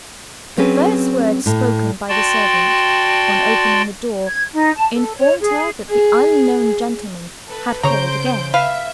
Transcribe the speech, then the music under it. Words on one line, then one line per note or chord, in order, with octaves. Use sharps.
The first words spoken by the servant, on opening the door, informed her that the unknown gentleman had called again.
F#3 C4 C#4 G#4 B4
A2
F#4 D5 G5 A5 C6
G#6
D#4
A5
A4
C#5
G#4
G#4
A4 B4
C#3 C5 C#5 A#5 G6 D7
B4 E5 F5